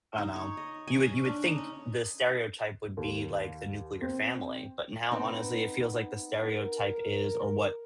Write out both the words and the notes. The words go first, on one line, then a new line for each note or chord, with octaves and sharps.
I know, you would you would think the stereotype would be like the nuclear family, but now, honestly, it feels like the stereotype is or what
D#4
C#5
D#5
G#5
C#4
D4
D#4
C#4
D#2
C4
B3 C4 D#4
A#4